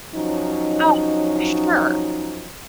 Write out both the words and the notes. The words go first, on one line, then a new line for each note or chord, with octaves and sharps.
Oh, for sure.
F3 F#3 C#4 D#4